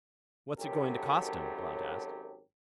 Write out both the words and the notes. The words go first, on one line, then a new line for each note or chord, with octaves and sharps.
"What's it going to cost him?" Blount asked.
G#1 F#2 F#3 G4 A4